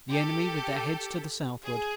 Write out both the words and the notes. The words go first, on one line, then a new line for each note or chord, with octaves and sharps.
The Enemy with their heads to the southward.
G4 A4
G#4